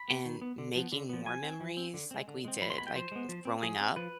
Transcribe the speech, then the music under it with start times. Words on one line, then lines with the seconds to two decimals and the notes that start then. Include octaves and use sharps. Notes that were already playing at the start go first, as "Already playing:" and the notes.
and making more memories, like we did, like, growing up,
Already playing: B5
0.08 B3
0.25 D#3
0.41 B3
0.58 D3
0.76 F3 B3
0.92 D3
1.09 F3 B3
1.26 F3 G#5
1.43 C4
1.60 F3
1.77 C4
1.94 D3
2.11 G#3 C4
2.28 D3
2.45 G#3 C4
2.62 F3 B5
2.70 C6
2.78 G#3 B3 B5
2.87 G5
2.95 F3 C5
3.12 G#3 B3
3.29 F3
3.45 C4
3.63 F3 G#4
3.80 C4
3.96 F3 B4